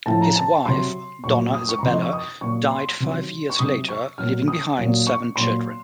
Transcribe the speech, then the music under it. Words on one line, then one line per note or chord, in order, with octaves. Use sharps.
His wife, Donna Isabella died five years later leaving behind seven children.
A2 F3 A5
A#5
A5
C3 F#3 C6
A#2 F#3 C#6
D#6
C#6
A#5
C3 F3 C6
D#5
C#6
D#6
A#2 F#3 C#6
C6
C3 D#3 F#3
C#6
C3 F#3 D#6
C#6
A#2 F#3 F6
D#6
A#2 F#3
C#6
A#2 F#3 C6